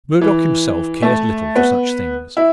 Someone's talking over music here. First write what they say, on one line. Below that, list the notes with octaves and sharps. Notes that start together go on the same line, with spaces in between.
Murdock himself cares little for such things.
E3
A3
B3
E4